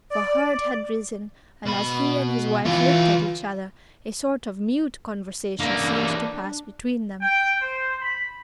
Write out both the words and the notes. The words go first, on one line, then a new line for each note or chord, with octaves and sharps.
For Hurd had risen, and as he and his wife looked at each other a sort of mute conversation seemed to pass between them.
D5
B2 B5
E3 F4 B4
E3 A#3 D4
G5
C5
B5